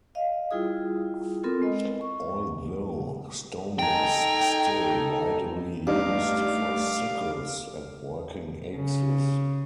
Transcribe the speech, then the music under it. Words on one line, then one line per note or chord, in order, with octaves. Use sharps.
Although stone was still widely used for sickles and working axes.
D#5 F5
G3 E4 F4 G#4 D#6
B3 C4 F4 A4 A#4
G#3 D#5
C#6
D#4 A4 G5 G#5 A#5
G2 G3 A3 D4 D#4 F5 D6
C#3